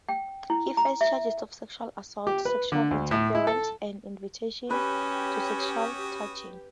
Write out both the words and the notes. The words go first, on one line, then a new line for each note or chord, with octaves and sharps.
He faced charges of sexual assault, sexual interference and invitation to sexual touching.
G5
E4
A#5
E5
G4
B4
D3
D2
A2
E4
A4
C#4 F#4 G4 B4 D#6